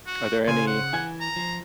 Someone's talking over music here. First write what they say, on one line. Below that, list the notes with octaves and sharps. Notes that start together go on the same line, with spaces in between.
Are there any
F#4
C#3 C5 G#5
F#5
E3 G#5 G#6
A#5
F3